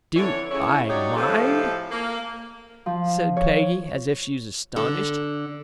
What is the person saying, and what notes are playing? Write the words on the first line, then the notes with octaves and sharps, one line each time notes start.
"Do--I--MIND?" said Peggy, as if she was astonished.
F2 D3 E3 C#5
C#3 E4 C#5
F#3 D4 D#4 G4 C#5
A2 C3 F3 G#3 G4 A4
A#3
F3
C#5
D3